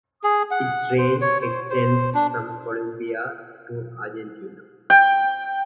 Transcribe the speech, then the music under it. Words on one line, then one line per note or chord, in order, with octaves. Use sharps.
Its range extends from Colombia to Argentina.
G#4
F#5
C5
C#5
C5
C5
D4
G5